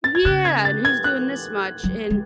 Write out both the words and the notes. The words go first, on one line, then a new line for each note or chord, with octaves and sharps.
Yeah, and who's doing this much, and
A6
G#6
C#3 F#6
G#6
A6
G#6
F#6
F#3
G#3